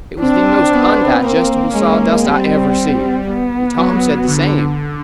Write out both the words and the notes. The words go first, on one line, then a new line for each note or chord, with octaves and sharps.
It was the most undigestible sawdust I ever see; and Tom said the same.
C4 D4
B3
A#3 C4
G#3 C#4
G3 C4
B3
F#3
D3